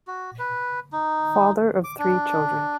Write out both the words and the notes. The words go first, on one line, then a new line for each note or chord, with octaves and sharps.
Father of three children.
F#4
B4
D#4
D6
D4